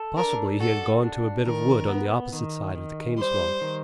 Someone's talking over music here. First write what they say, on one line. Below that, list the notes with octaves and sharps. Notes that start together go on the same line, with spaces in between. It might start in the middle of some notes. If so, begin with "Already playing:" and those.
Possibly he had gone to a bit of wood on the opposite side of the cane-swamp.
Already playing: A4
D4 A#4
F#4 A4
D4
D#3 A#4
B3
D#3
D#3
G3 C5
D#3